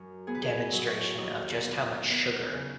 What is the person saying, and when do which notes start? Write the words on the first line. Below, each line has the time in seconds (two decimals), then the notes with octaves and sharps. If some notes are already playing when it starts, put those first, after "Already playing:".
demonstration of just how much sugar
Already playing: F#2
0.27 B3 G#4
0.35 B4
0.42 G#4
0.58 B4
0.72 F#3
0.78 D#5
0.88 C#5
1.18 D#2 D#5
1.63 B3
2.09 B3
2.54 C#3